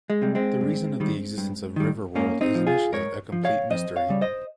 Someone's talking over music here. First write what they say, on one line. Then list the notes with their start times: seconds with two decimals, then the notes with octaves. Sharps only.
The reason of the existence of Riverworld is initially a complete mystery.
0.10 G#3
0.22 C3 G3
0.35 G#3 C4
0.61 G2
1.00 D#3 G3
1.38 G2
1.76 D#3 G3
2.15 G#2 A#3 C#4
2.41 C4 D#4
2.55 F3
2.67 F4 G#4
2.93 G#2 A#4 C#5
3.32 F3
3.45 C#5 F5
3.70 F2 C5 D#5
3.96 C#5 F5
4.09 C#3 G3
4.21 C5 D#5